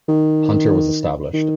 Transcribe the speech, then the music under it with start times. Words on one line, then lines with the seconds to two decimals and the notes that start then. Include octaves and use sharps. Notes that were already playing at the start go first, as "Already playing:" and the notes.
Hunter was established.
0.08 D#3
1.34 D#3